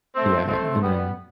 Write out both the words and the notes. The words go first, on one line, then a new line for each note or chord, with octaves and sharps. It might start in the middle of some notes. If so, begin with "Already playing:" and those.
yeah. And then
A3 C4
A3 C4
G3 B3